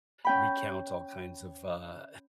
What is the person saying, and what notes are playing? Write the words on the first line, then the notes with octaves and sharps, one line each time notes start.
recount all kinds of, uh,
C#4 G5 B5